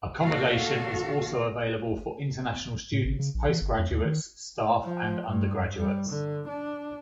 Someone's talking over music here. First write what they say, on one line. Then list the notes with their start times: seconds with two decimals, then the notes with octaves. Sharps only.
Accommodation is also available for international students, postgraduates, staff and undergraduates.
0.22 D#2 A#2 F#4 A4 F5
2.92 A2
3.05 G#1
3.19 C#3
3.34 A#1
3.49 E3
3.61 G1
3.78 F2
3.91 D#2
4.05 D#3
4.84 F3
5.27 G2
5.79 G3
6.10 D3
6.48 D4